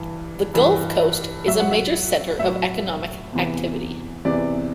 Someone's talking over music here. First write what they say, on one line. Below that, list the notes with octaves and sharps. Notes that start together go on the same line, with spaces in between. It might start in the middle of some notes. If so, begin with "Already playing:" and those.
The Gulf Coast is a major center of economic activity.
Already playing: G2 E3
G2 E3
A2 F#3 E5
F#5
E5
A2 F#3 E5
E2 C3 E3
E2 C3 E3 D5